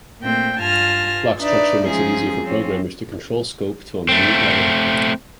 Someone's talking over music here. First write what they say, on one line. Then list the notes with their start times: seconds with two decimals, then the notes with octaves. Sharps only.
Block structure makes it easier for programmers to control scope to a minute level.
0.22 A#2 A3 C4 G5
0.61 G2 F4 G#5 A5 F6 A#6
1.39 D4 D#4 B4 D5 E5
1.85 G#2 F3 C#4 G#4
2.43 F3 C4 C#4
4.09 A3 C4